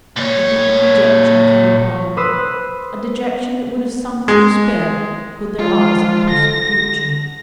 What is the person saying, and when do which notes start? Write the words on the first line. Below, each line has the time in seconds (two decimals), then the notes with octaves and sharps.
A deep dejection fell upon them,--a dejection that would have sunk to despair could their eyes have pierced the future.
0.16 A#2 C#5
2.17 B4 C5 D#6 E6 F#6
4.28 G#3
5.58 F3 G#3 F4
6.30 D3 A#6